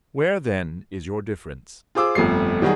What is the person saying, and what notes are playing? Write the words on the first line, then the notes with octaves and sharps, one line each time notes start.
Where, then, is your difference?
F4 G#4 C5 D6 E6
G1 F2 A3 C7
D#3 F#3 G3 D#4 F#4 G#4